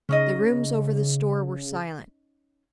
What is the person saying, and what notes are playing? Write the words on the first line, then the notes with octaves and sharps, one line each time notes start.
The rooms over the store were silent.
C#3 C#4 D#4 D#5